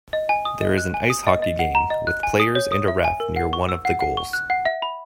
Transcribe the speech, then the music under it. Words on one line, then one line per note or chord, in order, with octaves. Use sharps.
There is an ice hockey game, with players and a ref near one of the goals.
D#5
G#5
D#6
D#5
F#6
G#5
D#6
D#5
D#5
F#5
A#5
D#5
F#6
G#5
D#6
C#5
D#6
E5
G#5
A#4
F#5
C#6
E6
F#5
F#5
C#6
F#6
F#5
E5
B5